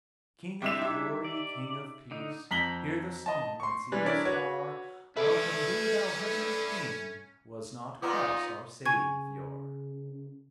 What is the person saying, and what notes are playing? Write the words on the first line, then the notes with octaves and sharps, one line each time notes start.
"King of glory, king of peace!" "Hear the song, and see the Star!" "Welcome be thou, heavenly King!" "Was not Christ our Saviour?"
C3 G3 D4 E4 E5 E7
D#4 G4 E5
D5
D3 D#4
F2 A#5 B6 F#7 G7
D#5 A5
C6 C#6
E3 G3 B4
D4 E4 A#4 C#5 D5
F#4 B4 C#5
C#4 A4 B4 D5 E5
A#2 B3 D#4 F4 B4 A#5 D6
C#3 G#5 C#6 G#6